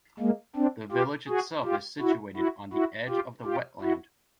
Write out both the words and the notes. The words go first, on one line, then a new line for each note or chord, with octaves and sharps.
The village itself is situated on the edge of the wetland.
G#3 A#3
C4 D4
F4 G4
F#4 G#4
F4 G4
E4 F#4
E4 F#4
E4 F#4
F4 G4
F4 G4
E4 F#4